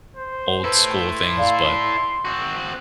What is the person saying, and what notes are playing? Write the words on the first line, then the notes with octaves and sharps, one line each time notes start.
old school things, but,
C5
E4 A4 B4 B5
C6
D5 F5
C4 F#4